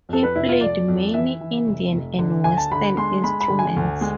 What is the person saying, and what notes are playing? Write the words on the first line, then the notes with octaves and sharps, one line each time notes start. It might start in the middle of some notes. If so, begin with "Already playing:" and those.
He played many Indian and Western instruments.
F2 A4
B4
F1 E4
F4
F2 D5
F2
E3 E5
E3
F1
F1
D3
D2 G#5
A5
D3 B5
G#3 C6
G#3 B5
B5
D3
G#5
D2
G#3